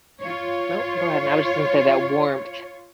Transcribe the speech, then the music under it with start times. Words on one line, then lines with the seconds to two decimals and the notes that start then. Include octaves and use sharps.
no, go ahead, and I was just gonna say that warmth
0.21 F4 C#5